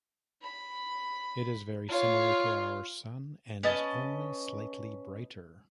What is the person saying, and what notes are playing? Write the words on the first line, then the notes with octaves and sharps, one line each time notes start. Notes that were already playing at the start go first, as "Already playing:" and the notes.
It is very similar to our Sun and is only slightly brighter.
B5
F4 C#5
C#4 B4 D#5 A5